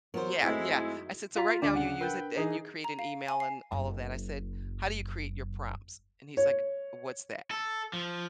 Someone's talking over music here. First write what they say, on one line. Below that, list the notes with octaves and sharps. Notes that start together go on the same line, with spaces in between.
Yeah yeah. I said, "So right now you use it and you create an email and all of that." I said, "How do you create your prompts?" And he's like, "What's that?"
F#3 B3 F#4 A#4 C5
F#2 D#3 G#3 A3 C4 E4
F4 F5 A#5 B6 F7
D2 D4 D5
C#3 F#5
A#4 B4 G5 G6
E3 D#4 G#4
A#5
F5
G#5
C7
F#1 F#2
C#5
A4
F3